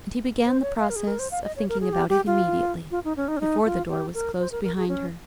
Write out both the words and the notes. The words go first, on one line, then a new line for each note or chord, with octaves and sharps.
And he began the process of thinking about it immediately,--before the door was closed behind her.
C5
C#5
F5
A#4
G#4
A#4
C5
F5
D#5
C#5
A#4
G#4
G4
G4
F4
F4
D#4
C#4
D#4
C#4
D#4
F4
G4
A#4
C5
A#4
A#4
G#4
C#4